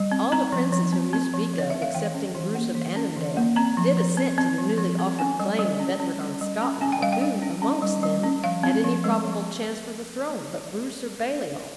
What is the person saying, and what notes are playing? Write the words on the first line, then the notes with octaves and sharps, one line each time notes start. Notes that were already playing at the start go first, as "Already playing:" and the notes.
All the princes whom you speak of, excepting Bruce of Annandale, did assent to the newly offered claim of Edward on Scotland; but who, amongst them, had any probable chance for the throne, but Bruce or Baliol?
Already playing: G3
C4
C4 A#5
F3
F3
C4
C4
F3
F3 C#5
C4 E5
F5
E3 G5
C#4
E3
A#3
E3
C#4
E3
A#3
C4 A#5
F3
F3
C4
C4
F3
F3
C4
C#4 G#5
G3
G3
C#4
C#4
G3
G3
C#4
C#4 G#5
G5
G3 F5
G5
G3
C#4
C#4
G3
G3
C#4
F3 F5
C4
F3
G#3
F3
C4